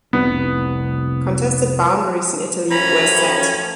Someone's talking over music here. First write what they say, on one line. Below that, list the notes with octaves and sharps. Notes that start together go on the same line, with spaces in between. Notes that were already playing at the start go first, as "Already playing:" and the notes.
Contested boundaries in Italy were set.
F1 C2 B3
F#2 A2 F3 C#4 A#5 B5